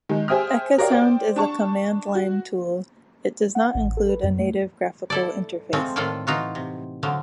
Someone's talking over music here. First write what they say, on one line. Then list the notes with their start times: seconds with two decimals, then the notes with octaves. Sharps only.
Ecasound is a command-line tool: it does not include a native graphical interface.
0.09 D#3 G#3
0.28 G#4 C5 E5 G5 D#6 F6
0.78 F#4 A#4 C#5 D5 F5 G5
0.91 C5 D5 G5
1.36 D4 A5 C#6
2.15 F#4
3.55 F#5
3.75 A1
3.97 A4
4.09 B4
4.23 F#2
4.39 A3
5.10 E4 A4 D5
5.73 F3 G#3 A3 C4
5.96 A2 D#3 F4 A4 D5 G5
6.27 E3 D#4 F4 F#4
6.55 C3
7.03 D3 F3 F#3